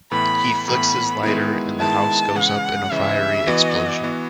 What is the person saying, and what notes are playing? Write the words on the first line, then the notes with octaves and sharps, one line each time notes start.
He flicks his lighter and the house goes up in a fiery explosion.
A2 E3 B3 B5
A2 E3 B3 B5
D#3 G#3 B3 E4
D#3 G#3 B3 E4 A5
C#3 E3 G#3 F#5
C#3 E3 G#3 E5
E3 B3 F#4 D#5
E3 B3 F#4